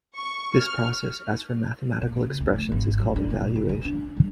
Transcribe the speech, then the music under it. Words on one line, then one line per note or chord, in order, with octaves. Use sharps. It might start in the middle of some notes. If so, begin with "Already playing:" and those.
This process, as for mathematical expressions, is called evaluation.
C#6
F6
A#2
C#3
D2
F3
G#1
F#3
D4
A#2
D3
E3
D4
G3